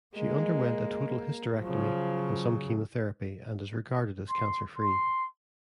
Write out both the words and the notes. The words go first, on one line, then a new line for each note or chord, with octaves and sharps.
She underwent a total hysterectomy and some chemotherapy, and is regarded as cancer-free.
G#3 A#3
C#3 F3 F#3
C6
C6